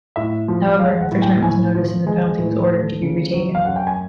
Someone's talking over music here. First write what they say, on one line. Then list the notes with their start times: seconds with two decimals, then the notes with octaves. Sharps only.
However, an infringement was noticed and the penalty was ordered to be re-taken.
0.16 A2 E5
0.48 F3
0.80 G#3 F5
1.00 F#5
1.11 A2
1.22 G5
1.42 A2 G#5
1.75 F3
2.06 G#3 G#5
2.38 A2
2.71 A3
3.02 C#3
3.34 F#3
3.55 F5
3.65 F#2 F#5
3.76 G5
3.87 G#5